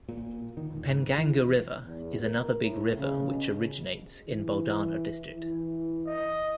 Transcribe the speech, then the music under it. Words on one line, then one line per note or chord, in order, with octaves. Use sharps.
Penganga river is another big river which originates in Buldhana district.
A#2
D#3
E1
G#1
E3
E2
A#4
A2
C#3
B2
E3
E3
D#5